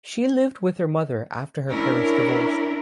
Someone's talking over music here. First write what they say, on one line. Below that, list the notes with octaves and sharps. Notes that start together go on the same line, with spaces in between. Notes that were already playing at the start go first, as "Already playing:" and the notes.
She lived with her mother after her parents divorced.
C#4 D4 E4 A#4